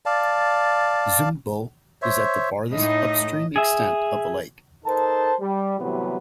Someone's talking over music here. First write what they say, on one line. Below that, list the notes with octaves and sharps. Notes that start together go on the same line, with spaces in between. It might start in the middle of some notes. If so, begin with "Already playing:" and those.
Zumbo is at the farthest upstream extent of the lake.
D5 F5 A5
C5 C#5 E5
A2 D#4 D#5
G#4 E5
D#4 A4 A#4 C5 A5
G3
A2 C3 E3 F#3 G3 B3